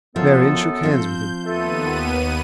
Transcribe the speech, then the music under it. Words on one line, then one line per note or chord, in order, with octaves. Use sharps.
Marian shook hands with him.
F#2 F3 B3 A4
F3 C4 G6
D#2 A3 B3 F4 A4 D#7